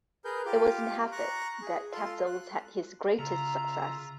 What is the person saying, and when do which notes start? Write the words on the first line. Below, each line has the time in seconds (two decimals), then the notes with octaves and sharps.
It was in Hartford that Cassels had his greatest success.
0.25 G#4 A#4 B4 G6
0.46 F4 G4 D6
1.12 A#5 C#6 F#6
1.62 G#4
1.92 F4 A4 C6
2.26 F#6
3.19 C#3 F4 E5 A#5